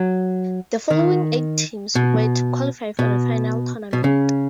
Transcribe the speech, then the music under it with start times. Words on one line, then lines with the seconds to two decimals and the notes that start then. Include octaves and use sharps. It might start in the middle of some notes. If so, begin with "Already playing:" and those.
The following eight teams were to qualify for the final tournament.
Already playing: F#3
0.90 D#3
1.95 B2
2.99 B2
3.93 B2
4.04 C#3